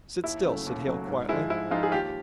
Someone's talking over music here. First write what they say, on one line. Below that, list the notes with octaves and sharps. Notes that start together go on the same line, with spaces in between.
"Sit still," said Hale, quietly.
D#2 E4
C#3 F#3 A3
D#2
C#3 F#3 A3
G#2
F3 G#3 E4
G#2 E4
F3 G#3 D#4 F4
G#4
D#2 F4 G4